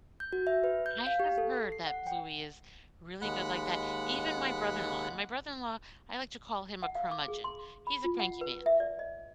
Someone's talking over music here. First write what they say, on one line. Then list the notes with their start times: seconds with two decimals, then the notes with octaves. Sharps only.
I have heard that Bluey is really good like that, even my brother-in-law and my brother-in-law, I like to call him a "curmudgeon", he's a cranky man,
0.20 G6
0.33 F#4
0.47 E5
0.64 B4
0.86 G6
1.07 F5
1.20 G4
1.38 A4
1.72 C7
1.87 F#5
2.07 G5
3.22 D#2 G#3 F#5 B5 F#6
6.83 F#5
6.95 F5
7.11 D6
7.28 G#4
7.44 C6
7.87 B5
8.04 F4
8.19 F#5
8.41 B4
8.66 E5
8.80 D5
8.99 D#5